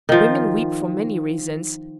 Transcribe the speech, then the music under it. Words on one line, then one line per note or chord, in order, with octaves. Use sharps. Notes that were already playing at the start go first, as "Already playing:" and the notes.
Women weep for many reasons.
D#3 F3